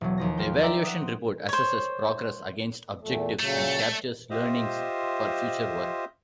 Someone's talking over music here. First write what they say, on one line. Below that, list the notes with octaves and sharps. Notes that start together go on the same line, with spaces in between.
The evaluation report assesses progress against objectives and captures learnings for future work.
E1 F#3
D#2 F3 A#6
F4 G5
D5 E5 G5 A#5 E6 G6
F#5 D#6
C4
C5 C#5
E2 A#2 A3
A#2 C#3 F#3 A3
F4 G4 C5 D#5 E5